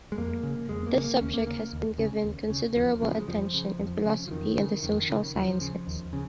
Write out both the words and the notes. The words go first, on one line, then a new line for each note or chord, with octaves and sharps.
This subject has been given considerable attention in philosophy and the social sciences.
G#3
F2 A#3
C#3
F2 G#3
A#3
C#3
A#3
D#2 C#4
A#3
C#3 A#3
D#2
C#3
D#2
C#3
D#2 F3
C#3 G#3
F3
G#3
F2 F3
C#3
F2
C#3
F3
F2 D#3
C#3
F2 D#3
C#3
D#2 F3
C#3
D#2
C#3